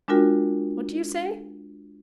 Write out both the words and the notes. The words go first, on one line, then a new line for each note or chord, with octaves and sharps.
"What do you say?"
G#3 D4 F4 F#4 A#4 G5